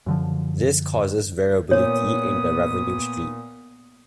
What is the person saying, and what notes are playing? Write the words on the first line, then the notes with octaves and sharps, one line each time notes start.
This causes variability in the revenue stream.
F#2 D3 F3
A#2 B3 C#5 D#6